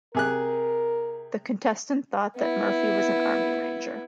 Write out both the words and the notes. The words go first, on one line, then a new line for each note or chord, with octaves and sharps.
The contestant thought that Murphy was an Army Ranger.
C3 G#4 A#4 F#6
B3 E4